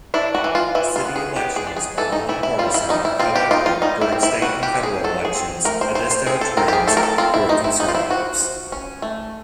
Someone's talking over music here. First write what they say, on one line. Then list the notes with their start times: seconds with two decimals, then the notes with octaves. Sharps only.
City elections are non-partisan, however, during state and federal elections, Edisto trends toward conservatives.
0.14 D4 E4
0.35 F#4
0.44 E3
0.55 F4
0.75 E3 E4
0.96 F4
1.05 B3
1.16 G#4
1.36 B3 G4
1.56 G#4
1.67 D4
1.77 G#4
1.97 E3 A4
2.12 D#4
2.29 E3 E4
2.43 E4
2.59 G3 F4
2.74 E4
2.89 G3 D#4
3.05 E4
3.19 C4 F4
3.36 G4
3.51 D#4 F4
3.66 F4
3.82 G3 D#4
4.01 E4
4.12 C4
4.23 E4
4.42 G3 F#4
4.63 G4
4.74 C4
4.83 G#4
5.04 F#3 A4
5.25 G#4
5.35 C4
5.65 A3 A#4
5.81 C5
5.95 A3 C5
6.11 C5
6.26 C4 G#4
6.41 A4
6.57 C4 A#4
6.68 G4
6.73 G#4
6.88 A3 A4
6.97 A#4
7.03 A4
7.18 C4 F4
7.34 E4
7.49 A3 D#4
7.64 E4
7.80 F3 D#4
7.88 F4
7.95 E4
8.10 F3 F#4
8.41 F3
8.72 C#4
9.02 A3